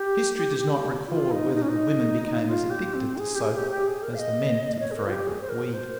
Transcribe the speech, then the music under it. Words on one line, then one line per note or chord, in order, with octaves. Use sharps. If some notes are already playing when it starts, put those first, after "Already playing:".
History does not record whether the women became as addicted to soap as the men to the fragrant weed.
Already playing: G4
F4
D#4
D#4
C#4
D#4
F4
G4
C4
G#4
G4
G#4
G4
G4
G#4
A#4
F5
D#5
C#5
G#4
A#4
F4
G4
G#4
C5
A#4
C5